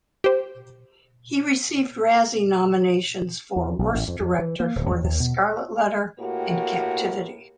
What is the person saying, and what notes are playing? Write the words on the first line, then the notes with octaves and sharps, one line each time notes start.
He received Razzie Nominations for Worst Director for "The Scarlet Letter" and "Captivity".
G4 C5
E2
B1
A1
F2
F2
E3
A#3
D1
E2
D#2
B2
A2 A#3 F#4 G4